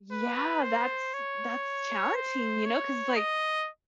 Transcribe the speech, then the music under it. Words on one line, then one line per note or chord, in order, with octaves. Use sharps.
Yeah! That's that's challenging, you know, 'cause it's like,
B4
C5
C#5
C5
C#5
D#5